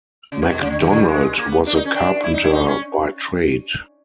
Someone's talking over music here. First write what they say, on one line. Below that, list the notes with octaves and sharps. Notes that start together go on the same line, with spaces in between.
Macdonald was a carpenter by trade.
C#3
C3
B2
C#3
D3
D#3
D3
G3
G#3
A#3
B3
D4
D#4
C#4
D4
E4
D#4
E4
D#4
C#4